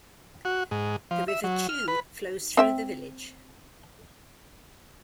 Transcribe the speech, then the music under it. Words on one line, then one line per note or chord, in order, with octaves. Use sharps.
The River Chew flows through the village.
F#4
G#2
F3
E5
F#3
F6
B4
C4 E5 G5